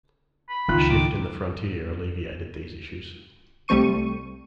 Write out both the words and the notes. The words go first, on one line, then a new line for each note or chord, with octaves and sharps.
A shift in the frontier alleviated these issues.
B5
C#2 D#3 F3 F4 F#6
D#3 D6
C2 G3 A3 C4 C#6 D#7